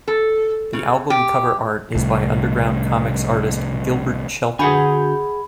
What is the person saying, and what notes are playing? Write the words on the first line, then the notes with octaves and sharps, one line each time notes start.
The album cover art is by underground comix artist Gilbert Shelton.
A4
C#3
G4
C2 A2
D3 F#4 G#4 F#5 G#5 B5 G6